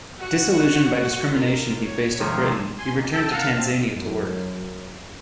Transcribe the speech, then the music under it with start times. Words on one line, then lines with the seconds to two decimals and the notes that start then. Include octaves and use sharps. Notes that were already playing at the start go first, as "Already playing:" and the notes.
Disillusioned by discrimination he faced in Britain, he returned to Tanzania to work.
0.19 F#4 F#5
1.33 F4 A#4
1.85 C#5
2.19 C3 D#3 F3
2.78 G#5 C6
2.93 D#3 A#3
3.12 A4 G5 A5
3.32 A#4 F5 F#5 A5 A#5
3.55 C4 F5 A5
3.89 F#2